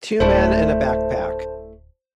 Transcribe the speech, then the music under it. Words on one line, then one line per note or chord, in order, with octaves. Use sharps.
Two men and a backpack.
D1 A3 D4 E4 C5 A5